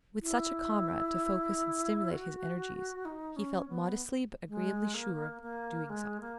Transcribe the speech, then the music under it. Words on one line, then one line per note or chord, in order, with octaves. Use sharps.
With such a comrade to focus and stimulate his energies he felt modestly but agreeably sure of "doing something".
E4
F#4
D#4
C#4
B3
G#3
A#3
A#3
G#3
A#3